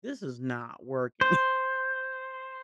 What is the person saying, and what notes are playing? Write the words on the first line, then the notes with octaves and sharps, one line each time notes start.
this is not working."
C5